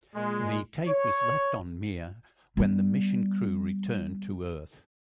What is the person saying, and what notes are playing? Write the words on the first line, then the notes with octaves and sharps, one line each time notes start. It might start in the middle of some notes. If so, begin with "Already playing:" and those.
The tape was left on Mir when the mission crew returned to Earth.
A#2 G#3
C#5
G3 B3